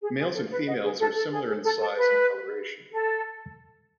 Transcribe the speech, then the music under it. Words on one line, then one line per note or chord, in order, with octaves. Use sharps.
Males and females are similar in size and colouration.
G#4
G#4
A4
B4
D#5 F#5
G#4
A4
A4
G#4
G#4
A4
A4
B4
A4